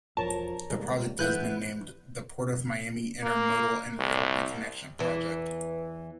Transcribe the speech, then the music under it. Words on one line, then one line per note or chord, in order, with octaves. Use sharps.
The project has been named the "Port of Miami Intermodal and Rail Reconnection Project".
E1 F3 A#4 C#5 A5
D#2 G3 G#3
D2 E3 G#3 B3 E4 B4 F#6 G6
A#3
C2
E2 E3